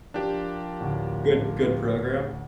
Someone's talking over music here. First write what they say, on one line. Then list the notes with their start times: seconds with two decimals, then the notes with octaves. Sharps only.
Good good program?
0.14 F3 D4 F4 G4 A#4
0.80 A1 D2